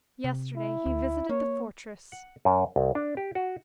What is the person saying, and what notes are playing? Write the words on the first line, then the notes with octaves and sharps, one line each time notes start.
Yesterday he visited the fortress.
C3
E4
D2
A#3 C#5
F#5
F#2
C2
D4
G4
F#4